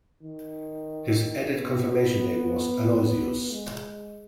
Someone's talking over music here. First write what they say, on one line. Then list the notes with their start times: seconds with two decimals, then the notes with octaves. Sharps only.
His added confirmation name was Aloysius.
0.23 D#3
1.53 B3
3.51 G#3